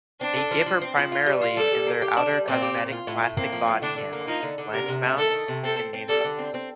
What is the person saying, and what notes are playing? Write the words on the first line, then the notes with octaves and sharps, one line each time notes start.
They differ primarily in their outer cosmetic plastic body panels, lens mounts and nameplates.
C4 D4
A4
F3
F3
C4
F3
F4
G3
F4
G3 A4
G3
A#3
G4
D4
G3
A#2 C4
G4
A#2
F4
A2
A2
A#3 C4
F3
A2
D3 D4
D3
A#3
F3 D#4
D3
D3
C3 A#4
C3
A3
D#3 A4
A3
C3
C4 A4
C4
C4
G3 A4
D3
C4
C4